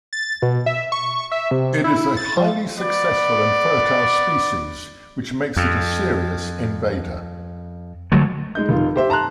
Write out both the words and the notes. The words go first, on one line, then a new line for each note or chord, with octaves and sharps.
It is a highly successful and fertile species, which makes it a serious invader.
A6
B2
E5
C#6
E5
C3
E4
A6
F3
B3 D5
F2
D3 F#3 G#3 A3
G#3 D#4 G6
F1 D#3 F4
G4 C5 E5
A5 A#5 C6 F#6